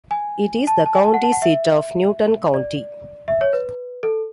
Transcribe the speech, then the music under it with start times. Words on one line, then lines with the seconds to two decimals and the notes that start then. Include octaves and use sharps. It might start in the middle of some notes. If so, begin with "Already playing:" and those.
It is the county seat of Newton County.
0.11 G#5
0.67 A5
0.86 A5
0.95 G#5
1.04 A5
1.14 F#5
1.23 A5
1.32 F#5
1.42 E5
2.54 D5
3.28 E5
3.41 C#5
3.53 B4
4.03 A4